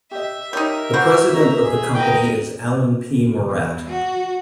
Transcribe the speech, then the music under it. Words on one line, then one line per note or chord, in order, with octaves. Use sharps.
The president of the company is Alan P Moret.
G4 D#5 E5
D#4 G4 A#4 C#5
E3 F#4 C5 F#5
C#4 A4 D#5 A#5
G#4
F#4 A#4 B4 D#5 G5
E2
F#4